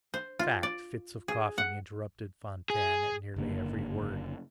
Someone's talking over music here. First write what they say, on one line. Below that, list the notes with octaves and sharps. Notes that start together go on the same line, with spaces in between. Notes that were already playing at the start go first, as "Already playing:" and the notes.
In fact, fits of coughing interrupted Fantine at nearly every word.
C5
F4
D5
G#4
F#5
G#4
F#1 D3 A#3